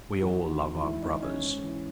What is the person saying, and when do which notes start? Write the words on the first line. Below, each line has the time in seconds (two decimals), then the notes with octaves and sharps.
"We all love our brothers."
0.22 E2 F#4
0.42 D#3
0.62 E2
0.82 G#2 E4
1.02 D#3 D#4
1.22 G#2 C#4
1.43 G#2
1.63 E3